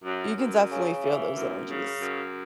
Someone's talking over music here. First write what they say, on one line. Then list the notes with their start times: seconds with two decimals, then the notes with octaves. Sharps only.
you can definitely feel those energies.
0.04 F#2
0.37 F#2
0.70 C#3
1.03 E3
1.36 F#2
1.68 C#3
2.01 F#2